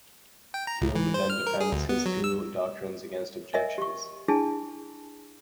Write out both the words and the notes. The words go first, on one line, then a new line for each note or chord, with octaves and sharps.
Hume then defends his two doctrines against objections.
G5
A#5
C#2
E3
C5
F6
A#4
G#4
D2
B3
F#3
E6
A#4 D#5 E5 G#5
G4 C#6
D4 E4 G#4 G#5 A5